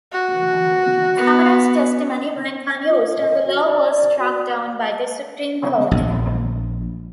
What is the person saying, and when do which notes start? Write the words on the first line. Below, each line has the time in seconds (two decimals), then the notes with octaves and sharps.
Cameron's testimony went unused, and the law was struck down by the Supreme Court.
0.12 F#4
1.16 B3
2.88 F4
3.18 D#5
3.47 F#4
3.65 D5
3.90 D5
4.18 F#4
5.91 A#1